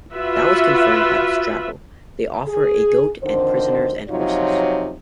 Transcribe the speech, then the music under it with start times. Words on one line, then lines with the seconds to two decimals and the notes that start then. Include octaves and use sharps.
That was confirmed by Strabo: "They offer a goat and prisoners and horses".
0.13 F4 F#4 B4 E5
2.46 G#4
3.22 F2 D3 D#3 C5
4.10 C3 F3 F#3 D#4 F4 C#5